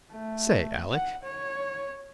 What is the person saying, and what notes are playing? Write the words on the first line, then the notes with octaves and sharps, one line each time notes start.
"Say, Alec."
A3
F#5
C#5